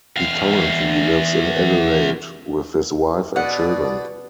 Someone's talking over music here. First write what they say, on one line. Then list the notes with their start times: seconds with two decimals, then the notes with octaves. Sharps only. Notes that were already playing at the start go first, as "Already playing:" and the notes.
He currently lives in Adelaide with his wife and children.
0.16 E2 F5
3.36 B2 D5 F#5